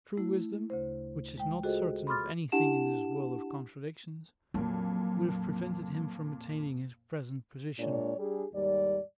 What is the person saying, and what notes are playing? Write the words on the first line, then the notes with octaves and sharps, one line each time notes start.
True wisdom, which is not certain of anything in this world of contradictions, would have prevented him from attaining his present position.
A3 E4
D2 C#3 C5
G#3 G5
F4 F#4 G#4 A4 C5 D#5
B5 C6 D6 F6 A6
D4 E4 G4 F#5 A5 E7
F2 A#2 F#3
A#2 G#3 D4 C#5 D5
G3 D4 G4 G#4
D#2 G#2 G3 D5